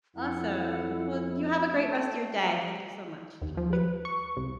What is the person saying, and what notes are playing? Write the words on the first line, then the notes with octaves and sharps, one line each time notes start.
Awesome. Well, you have a great rest of your day. Thank you so much. Talk to you
F2 E4 F#5
A3
D#2
F3
B4
C#6
C2